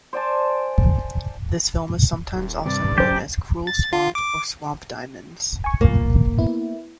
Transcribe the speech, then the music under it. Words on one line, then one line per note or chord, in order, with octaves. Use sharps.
This film is sometimes also known as Cruel Swamp or Swamp Diamonds.
C5 D5 G#5 A5
D#1
G2 C3 D5
F#2 G4 C5
A6
F4
D6
G#5 C#6
C2 A#2 A#3
B3 E4